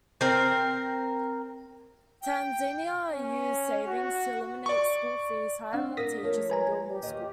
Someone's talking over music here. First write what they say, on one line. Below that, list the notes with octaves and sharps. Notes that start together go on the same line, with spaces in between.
Tanzania used savings to eliminate school fees, hire more teachers, and build more schools.
C4 A#4
G5
C#4
F#4
D5 C#6
C4 D4 F5 F#5
A#4 D5 D#6 A#6 B6
F3 A3 A#4 C#5
B4 G#5 A#5
G4
D#2 C#5 D#5